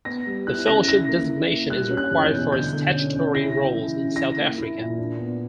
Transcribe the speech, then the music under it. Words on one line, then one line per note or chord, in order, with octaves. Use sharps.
The Fellowship designation is required for statutory roles in South Africa.
B3 A#6
G3
E4 F#6
C#3 A#6
E4 A#6
A#3
E4
A#3
G3 F#6
C#4
F#6
E2
G6
B2
D3 G6
D3
C#4
C#4
E4 A#6
C#3
E3
C#3
E4 A#6
A#3
E4
A#2
D4
B3